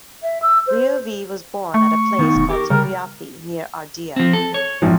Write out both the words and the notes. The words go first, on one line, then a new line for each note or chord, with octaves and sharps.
Leo V was born at a place called Priapi, near Ardea.
E5
E6
C5
A3 C#6
D#3 B3 D#4
E1
G4 G#4 A#4
C#3 G3 A#4
F3 C4
A4
C#5
A#1 E2 G#2 F3